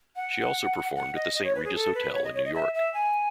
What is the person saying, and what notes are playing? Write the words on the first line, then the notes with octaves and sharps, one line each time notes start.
She also performed at the Saint Regis Hotel in New York.
F#5
F#5
D#5
D#5
C#5
B4
G#4
A4
B4
C#5
D#5
C#5
D#5
E5
E5
G#5